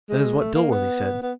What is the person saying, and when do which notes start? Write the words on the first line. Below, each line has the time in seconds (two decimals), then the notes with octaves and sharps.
That is what Dilworthy said.
0.10 G#3
0.39 A3
0.55 A#3
0.71 B3
1.23 B3